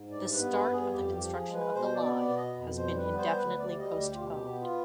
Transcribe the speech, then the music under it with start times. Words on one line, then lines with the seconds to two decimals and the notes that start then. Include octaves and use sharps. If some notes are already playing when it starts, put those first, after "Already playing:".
The start of the construction of the line has been indefinitely postponed.
Already playing: G#2
0.11 G2 D5
0.32 B4
0.39 B3
0.52 B4
0.66 G2
0.73 G#4
0.93 F2 G4
1.14 G4
1.20 F3
1.34 G#4
1.47 G#3
1.54 B4
1.75 B2 C5
1.95 D5
2.02 B3
2.16 D5
2.29 B2
2.37 D#5
2.57 F2
2.77 C5
2.84 G3
2.97 B4
3.11 B3
3.18 C5
3.38 D2 B4
3.59 D5
3.66 G3
3.79 D#5
3.93 D2
4.00 G4
4.15 F4
4.20 B2 G4
4.47 B3
4.62 F4